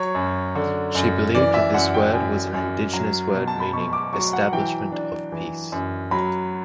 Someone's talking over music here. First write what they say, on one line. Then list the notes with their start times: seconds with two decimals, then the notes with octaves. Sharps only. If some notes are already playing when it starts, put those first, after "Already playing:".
She believed this word was an indigenous word meaning "establishment of peace".
Already playing: F#3 C#5
0.15 F#2
0.55 D3
0.95 F#2
1.35 E3 D5
1.54 E5
1.74 F#2 F#5
1.94 G5
2.14 F#2
2.54 F#2
2.93 F#3
3.34 B2
3.48 A5
3.60 B5
3.73 B2 C#6
3.93 D6
4.13 F#3 C#6
4.33 F#5
4.53 E3 G5
4.92 D4
5.32 E3
5.72 F#2
6.11 F#3 B5